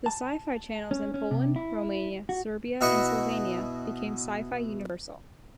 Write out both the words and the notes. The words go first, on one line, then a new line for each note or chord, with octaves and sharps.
The Sci Fi Channels in Poland, Romania, Serbia and Slovenia, became Sci Fi Universal.
A5
C#4
C#4
C3
E4
F#4
B2 E4 F#4 D#5 C#6